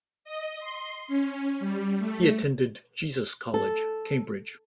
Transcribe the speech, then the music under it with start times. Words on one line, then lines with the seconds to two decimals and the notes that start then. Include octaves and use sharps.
He attended Jesus College, Cambridge.
0.24 D#5
0.60 C6
1.08 C#4
1.60 G3
1.99 A3
3.54 A4